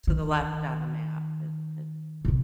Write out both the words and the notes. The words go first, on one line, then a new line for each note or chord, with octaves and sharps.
to the left on the map. It it's
D#3
A1 C3